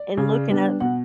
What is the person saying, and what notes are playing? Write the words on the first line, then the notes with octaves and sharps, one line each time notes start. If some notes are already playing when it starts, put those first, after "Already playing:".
and looking at
Already playing: D5
C#3
G3 B3 D4
B2 F#5